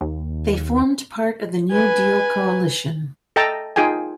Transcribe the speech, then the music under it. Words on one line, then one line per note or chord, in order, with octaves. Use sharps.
They formed part of the New Deal Coalition.
D#2
B4 G#5
A4 D#5 G5 A5 A#5
D#4 F4 G#4 G5 G#5